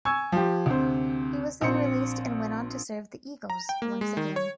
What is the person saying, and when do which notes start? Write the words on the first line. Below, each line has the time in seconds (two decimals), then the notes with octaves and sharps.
He was then released and went on to serve the 'Eagles' once again.
0.05 G#5 C#6 E6 G#6
0.32 F3 G4
0.66 D2 C3 C5
1.61 A#1 C4 C5 C#7
3.50 A#5
3.69 G5
3.82 A#3
4.01 G#3
4.17 D#3
4.36 C#5